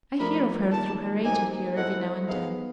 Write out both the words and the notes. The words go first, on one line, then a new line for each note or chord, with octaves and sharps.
I hear of her through her agent here, every now and then.
F3 A3 D4 F4 A#4 B5
D#3 G3 A#3 A5
F#3 A#3 D#4 G4 C5 G#5
C4 E4 A4 C5 D#5 F#5
B3 D#4 G#4 F5